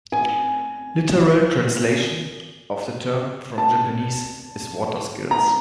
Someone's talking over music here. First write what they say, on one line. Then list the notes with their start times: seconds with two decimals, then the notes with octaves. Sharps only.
Literal translation of the term from Japanese is "water skills".
0.12 G#5
3.58 A5
5.31 A#5